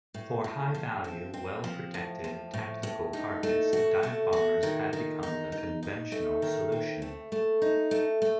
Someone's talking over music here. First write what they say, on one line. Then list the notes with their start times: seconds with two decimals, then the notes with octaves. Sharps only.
For high-value, well-protected tactical targets dive bombers had become the conventional solution.
0.14 A2
0.44 A2
0.75 F3
1.04 C4
1.34 C4
1.64 F3
1.94 A2
2.24 F3
2.54 A2
2.83 A2
3.13 D#4
3.43 A3
3.73 F#4
4.03 A3
4.33 F#4
4.63 D#3
4.93 D#3
5.23 D#4
5.52 D#4
5.83 D#4
6.12 A3
6.42 D#3
6.72 C4
7.02 A3
7.32 A3
7.62 D#4
7.91 A3
8.22 A3